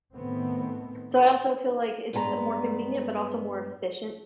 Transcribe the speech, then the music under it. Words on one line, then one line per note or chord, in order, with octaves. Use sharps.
so I also feel like it's more convenient, but also more efficient
A2 D#3 A3 B3 C4
G2 G#3 B3 G#5 A#5